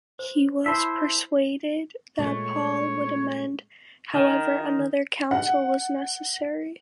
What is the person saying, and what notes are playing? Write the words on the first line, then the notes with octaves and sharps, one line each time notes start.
He was persuaded that Paul would amend, however another council was necessary.
C5
E4 C5 E5 A5 B5 C7
A#2 G#3 A3 C#5
D#3
F#5